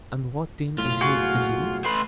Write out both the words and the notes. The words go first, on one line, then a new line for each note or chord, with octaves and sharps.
'And what then is his disease?'
F#1 B1 A2 F4
F#4 G#4
A3 B4 C6